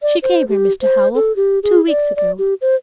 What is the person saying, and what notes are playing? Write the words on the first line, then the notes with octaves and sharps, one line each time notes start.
She came here, Mr. Howell, two weeks ago.
D5
C5
G4
C5
A4
G4
G#4
D5
D5
G4
C5